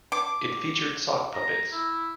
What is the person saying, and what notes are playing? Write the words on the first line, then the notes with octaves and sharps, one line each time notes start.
It featured sock puppets.
D6
A#5
E4